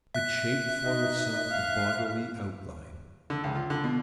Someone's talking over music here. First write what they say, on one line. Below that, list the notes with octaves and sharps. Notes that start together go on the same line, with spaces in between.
It shaped for itself a bodily outline.
E5 F#6
D#4 D#5
F5
D3
C#2
F4
D3
B2